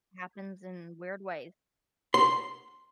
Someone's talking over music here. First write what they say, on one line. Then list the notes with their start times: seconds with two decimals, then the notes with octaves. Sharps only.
happens in weird ways.
2.14 C6